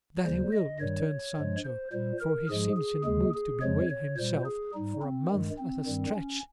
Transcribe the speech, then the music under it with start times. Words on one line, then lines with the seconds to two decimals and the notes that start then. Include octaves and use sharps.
"That he will," returned Sancho, "for he seems in a mood to bewail himself for a month at a stretch."
0.23 D#2 C#3 G3 C5
0.52 D#5
0.80 G2 D#3 G3 C#5
1.37 G2 F3 G#3
1.65 C5
1.92 A#2 G3 C5
2.21 A#4
2.49 G#2 F3 G#3 G#4
2.76 G#4
3.05 D#2 C#3 G#3 G#4
3.34 G#4
3.61 F2 C#3 F3 G#3 C#5
3.89 C#5
4.17 A#2 G3 C5
4.46 G#4
4.74 G#2 G3 D#4
5.02 C4
5.30 G2 D#3 G#3
5.59 C4
5.86 G2 D#3 G3
6.15 C#4